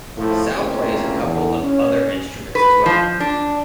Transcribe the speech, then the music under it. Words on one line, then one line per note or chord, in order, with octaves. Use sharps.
Sal plays a couple of other instruments as well.
A2 F3 A3
C#2 A2 C3 A#3 C4 C#4
E2
C#4
B4
F3
D4